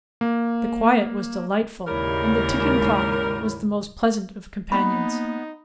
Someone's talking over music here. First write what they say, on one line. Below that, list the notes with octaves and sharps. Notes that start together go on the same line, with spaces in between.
The quiet was delightful, and the ticking clock was the most pleasant of companions.
A#3
D#2 G#2 C#3 G3 E4 A#4 C#5 B5
A#3 B3 D#4 B5